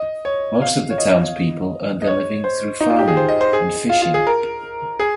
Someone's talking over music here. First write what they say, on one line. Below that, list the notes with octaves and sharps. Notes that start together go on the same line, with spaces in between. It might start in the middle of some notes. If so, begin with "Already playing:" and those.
Most of the town's people earned their living through farming and fishing.
Already playing: D#5
C#5
F5
C#5
D#5
D#5
C#5
C5
D#4
F4
G4
G#4
C5
D#5
C5
G#4
F4
F4
G#4
A#4
G#4